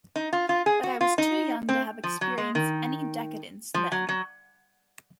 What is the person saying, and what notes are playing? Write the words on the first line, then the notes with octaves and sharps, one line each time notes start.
But I was too young to have experienced any decadence, then.
D#4
F4
F4
G#4
F#4
F4
D#4
C4
F3
F#3
G#3
D#3
F3
F#3
F#3